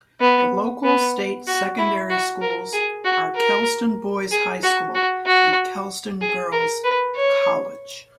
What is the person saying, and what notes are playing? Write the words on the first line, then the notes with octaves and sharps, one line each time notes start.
The local State secondary schools are Kelston Boys' High School and Kelston Girls' College.
B3
B3
F#4
E4
F#4
A#4
G#4
F#4
A#4
G#4
F#4
F#4
F#4
G#4
A#4
B4
C#5